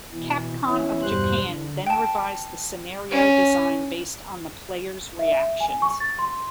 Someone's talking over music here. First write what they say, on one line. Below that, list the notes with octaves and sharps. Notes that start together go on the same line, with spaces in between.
Capcom of Japan then revised the scenario design based on the players' reactions.
B2 E3
E3 B3 C#4 E4
E2 G2 B2 G3 C5 F#6
D3
G5 A5
C#4
E5
G#5
C#6
A6
C6